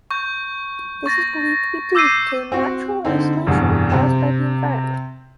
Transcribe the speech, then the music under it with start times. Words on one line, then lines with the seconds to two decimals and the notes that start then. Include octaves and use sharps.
This is believed to be due to the natural isolation caused by the environment.
0.11 C#6 G6
1.06 C#6 A6 A#6
1.95 D6 E6 G6 C7 D#7
2.52 C4 F#4
3.05 D3 C4 D#4
3.47 F1 E2 G2 B2
3.92 C3 C4